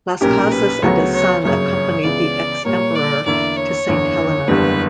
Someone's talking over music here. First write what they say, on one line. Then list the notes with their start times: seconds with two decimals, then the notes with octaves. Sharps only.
Las Cases and his son accompanied the ex-emperor to Saint Helena.
0.21 B1 A#2 A#3 C#4 G4 A#4
0.52 B4
0.82 D2 C#3 F#3 B3 F#4 C#5
1.13 C#5
1.43 G1 F#2 C#3 F#3 A#3 C#5
2.03 C#2 C#3 E3 B3 D5
2.65 A#2 G3 A#3 C#5
2.95 D5
3.26 E2 D3 A#3 E4 D5
3.57 C#5
3.87 F#1 E2 D3
4.48 F#1 E2 D3 G3 B3 B4